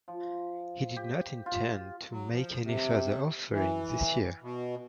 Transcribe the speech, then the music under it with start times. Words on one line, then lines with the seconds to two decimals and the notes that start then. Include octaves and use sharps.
He did not intend to make any further offerings this year.
0.08 F3
0.96 G4
1.46 F4
2.11 F#3
2.33 F3
2.64 C3
3.52 E3
4.42 B2